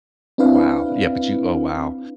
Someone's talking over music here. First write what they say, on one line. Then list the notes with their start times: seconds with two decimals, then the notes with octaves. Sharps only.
wow. Yeah, but you oh, wow.
0.38 C4 D4 E4 B4 F5